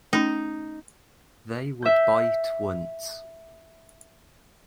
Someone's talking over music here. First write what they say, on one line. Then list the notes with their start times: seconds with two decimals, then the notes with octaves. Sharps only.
They would bite once.
0.13 A3 C#4 D#4
1.82 E5 G6